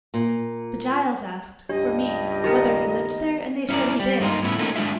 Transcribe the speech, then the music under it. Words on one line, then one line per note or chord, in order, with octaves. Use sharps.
But Giles asked, for me, whether he lived there, and they said he did.
A#2
C#2 G2 D4 G4 C#5 D#5
D#3 B3 G4 A#4
C#4 E4 G#4 A#4 D5
G3
G2 G#3 A#3 D#4 F4
A2 B3 C#4 E4
A3 A#3 C#4 D#4 F4
G#3 C#4 D4 F4 E5